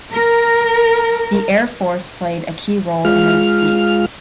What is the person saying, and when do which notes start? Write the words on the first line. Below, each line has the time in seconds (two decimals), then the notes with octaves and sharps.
The air force played a key role in their defeat.
0.12 A#4
3.05 G#3 F4 F6